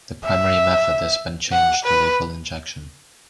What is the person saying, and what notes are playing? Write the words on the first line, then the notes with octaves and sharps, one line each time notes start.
The primary method has been changed to lethal injection.
E5
F#5
B4